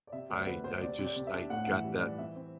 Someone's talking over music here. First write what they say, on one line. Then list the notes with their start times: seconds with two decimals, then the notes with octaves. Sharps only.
I I just I got that
0.07 D5
0.12 C3 E5
0.29 D2 D5
0.38 C5
0.46 D2 B4
0.64 D2 C5
0.81 C3 D5
0.99 C3
1.04 D5
1.16 C3
1.27 E5
1.33 D4
1.50 A2 F#5
1.64 E3 F#5
1.73 E5
1.84 G3
1.96 D5
2.01 E3
2.18 C4 E5
2.36 C4